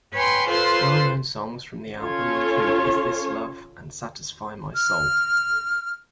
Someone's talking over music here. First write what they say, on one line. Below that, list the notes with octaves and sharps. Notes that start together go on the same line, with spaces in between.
Well-known songs from the album include "Is This Love" and "Satisfy My Soul".
B4 C#5 G5 G#5 C6
F4 A4 B4 C5 C6
C#4 F4 A4 C#5
F6